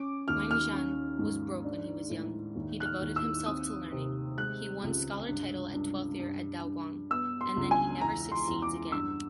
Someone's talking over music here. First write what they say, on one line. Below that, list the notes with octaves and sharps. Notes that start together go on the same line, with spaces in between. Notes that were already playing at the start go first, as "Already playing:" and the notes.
Wang Zhang was broke when he was young. He devoted himself to learning. He won scholar title at twelfth year of Daoguang, and then he never succeeds again.
Already playing: C#4 D6
D#2 F6
F6
C#4
G#2
D4
A2
D#2
F#6
F6
D#2
E6
C4 D#6
C3
G#3 F#6
C#2
G2
G2
G2
G2
B3 E6
C6
C#2
G#5
E2 A#5
C6
E2
D6
G2 E6